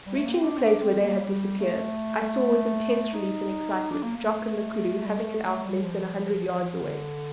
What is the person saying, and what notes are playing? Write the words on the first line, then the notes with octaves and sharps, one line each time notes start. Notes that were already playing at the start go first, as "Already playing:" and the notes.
Reaching the place where they had disappeared, I saw with intense relief and excitement Jock and the koodoo having it out less than a hundred yards away.
G3
A3
A#3
C4
D4
C4
D4
C4
A#3
G3
A3
D#4
D4
A#3
A#3
A3
A3
G3
A3
A3
A3
G3
F3
F3
D3